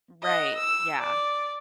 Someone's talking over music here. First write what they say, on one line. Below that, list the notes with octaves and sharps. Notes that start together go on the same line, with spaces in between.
Right, yeah.
D#5 F#5
E6
D5